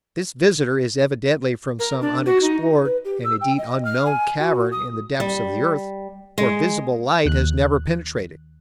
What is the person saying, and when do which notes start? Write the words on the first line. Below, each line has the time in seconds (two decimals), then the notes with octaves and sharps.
This visitor is evidently from some unexplored and, indeed, unknown cavern in the depths of the earth where visible light has never penetrated.
1.79 A#4
2.01 D4
2.26 F#4
2.42 D#4
2.85 B4
3.05 G4
3.24 E6
3.41 G5
3.58 D#5
3.85 F6
4.06 G#5
4.40 F#4
4.72 D#6
5.20 G3
6.38 G#3
7.25 D#2 F#6